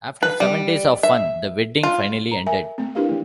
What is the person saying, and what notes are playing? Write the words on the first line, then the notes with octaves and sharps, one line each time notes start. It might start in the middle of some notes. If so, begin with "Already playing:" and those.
After seven days of fun, the wedding finally ended.
B4
G3
E5
F4
A#5
A#4 E5 G#5
A3 C4
D4 E4 G4 A#4 B4 F5
E3 A3